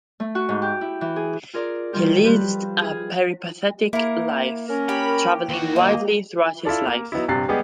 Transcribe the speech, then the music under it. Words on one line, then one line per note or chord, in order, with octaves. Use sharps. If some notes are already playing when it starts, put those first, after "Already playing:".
He lived a peripatetic life, travelling widely throughout his life.
A3
F#4
G#2
G4
E4
E3
G#4
F4 G#4 A#4 D5
D#3 G3 F4 G4
F3 G3 B4
G#4 F5 G#5
A#3 E4 A#4
C#4 A#4
G4 C#5 B5
D#2 F#4
A#3 D#5
E4 F4 A4 D5
A#3
F#3 B3 D#4 E4
A#1 G2 C3 F#6 A6 C7
G3 G#3 B3 G4 G#4